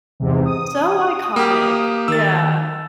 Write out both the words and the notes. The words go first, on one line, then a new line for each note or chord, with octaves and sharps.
So iconic. Yeah.
E2 G#2 C3
D#6
A#3 G4
D#3 E6 A6